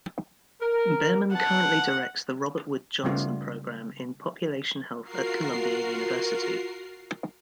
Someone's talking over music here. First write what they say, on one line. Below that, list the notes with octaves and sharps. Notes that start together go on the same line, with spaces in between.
Bearman currently directs the Robert Wood Johnson Program in population health at Columbia University.
A#4
B3 F#5 A5
C#3 G3 A3 B3 F4
F4 F#4 A#4 C7